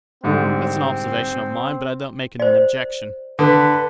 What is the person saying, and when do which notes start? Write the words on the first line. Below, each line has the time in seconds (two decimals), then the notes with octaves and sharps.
That's an observation of mine, but I don't make it an objection.
0.24 C2 G#2 D3 C4
2.40 C5 D5
3.39 D3 A4 B4